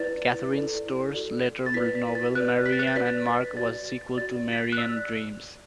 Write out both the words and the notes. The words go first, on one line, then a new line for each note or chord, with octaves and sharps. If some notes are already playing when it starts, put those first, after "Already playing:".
Catherine Storr's later novel "Marianne and Mark" was a sequel to "Marianne Dreams".
Already playing: E4 B4 D5 A6
E4 A4 D5
F#4 A4 D5
A6
E4 B4 D5 B6
B6
A6
F#4 B4 D5 F#6
B6
A6
F#6
A6
F#4 B4 D5 B6
A6
F#4 D5 A6
F#4 D5 A6
B6
A6
F#6
D5 E6